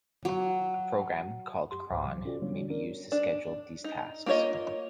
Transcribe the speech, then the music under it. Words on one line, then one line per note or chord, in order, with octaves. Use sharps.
A program called cron may be used to schedule these tasks.
F#3
F#2 G4 C6
C#2 G#2 C5 F5 D6
C3 E3 F#3
C#4 F4 F#4 A4 D5
D3 G3 B3 D4 F#4 C#5
C#4 D4 A#4 D5
D4
D#4
A#3 F4 A4 C#5 D#5